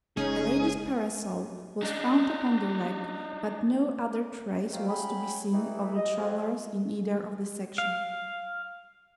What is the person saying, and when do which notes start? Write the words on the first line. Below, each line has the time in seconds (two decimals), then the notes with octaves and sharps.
A lady's parasol was found upon the rack, but no other trace was to be seen of the travellers in either of the sections.
0.17 F#1 G#3 C#4 D#4 G#4
1.83 D4 D#4
4.73 D#3 G3 A3 A#3 C4 F4
4.88 C#3 F#3 G#4 G5 B5
5.53 E3 G3 A3 D#4 E4
5.96 D#5
6.17 F2
7.78 F5